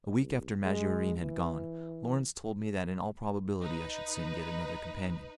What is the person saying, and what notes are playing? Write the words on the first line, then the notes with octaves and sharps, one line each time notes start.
A week after Maggiorin had gone, Lawrence told me that in all probability I should soon get another companion.
C2
G#3
E3
D#4 B4